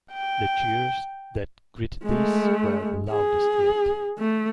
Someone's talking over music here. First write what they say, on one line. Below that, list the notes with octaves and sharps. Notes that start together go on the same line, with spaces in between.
The cheers that greeted this were the loudest yet.
G5
G#3 A3
G#4
A3